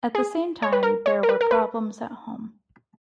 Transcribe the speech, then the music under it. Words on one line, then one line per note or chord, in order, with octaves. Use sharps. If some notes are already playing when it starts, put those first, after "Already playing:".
At the same time there were problems at home.
G#4
C#5
B4
A#4
C#5
A#4
B4
A#4
B4